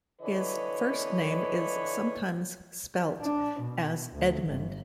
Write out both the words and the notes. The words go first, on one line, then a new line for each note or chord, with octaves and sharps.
His first name is sometimes spelt as Edmond.
D3 E3 B4 C#5 D#5
D4
B2
D2
G1